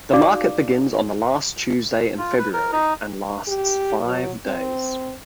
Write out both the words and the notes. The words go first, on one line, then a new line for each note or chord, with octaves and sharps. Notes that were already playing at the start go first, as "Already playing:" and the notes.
The market begins on the last Tuesday in February and lasts five days.
D#4 F#4 G#4 D5 F5 D6
F4
B4
A#4
D#4
G4
F#3
C4